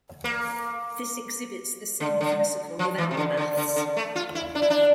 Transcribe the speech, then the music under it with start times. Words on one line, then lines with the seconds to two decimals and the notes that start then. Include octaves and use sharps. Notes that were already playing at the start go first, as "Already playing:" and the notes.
This exhibits the same principle without the maths.
0.24 A#3
2.00 D3
2.21 D3
2.79 F3
2.98 E3
3.11 C3
3.17 D3
3.37 D3
3.57 D3
3.76 D3
3.97 A3
4.16 F4
4.35 E4
4.55 D4
4.62 E4
4.70 D4